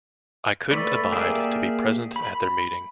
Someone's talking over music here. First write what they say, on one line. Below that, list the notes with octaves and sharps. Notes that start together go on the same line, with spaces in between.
I couldn’t abide to be present at their meeting.
A3 B4 D5
A#3 G4 G#4 D5 E5
B5